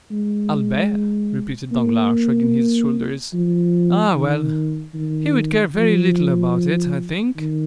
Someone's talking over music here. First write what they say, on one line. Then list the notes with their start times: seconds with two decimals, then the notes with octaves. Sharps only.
"Albert," repeated Danglars, shrugging his shoulders; "ah, well; he would care very little about it, I think."
0.11 G#3
1.72 A#3
3.33 F3
4.14 D#3
4.94 D#3
5.75 F3
7.36 D#3